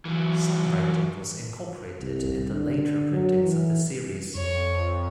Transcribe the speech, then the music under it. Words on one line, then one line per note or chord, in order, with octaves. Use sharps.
Some rewriting was incorporated in the later printings of this series.
E3 F#3
C2
D3
F#3
E3
F2 C#5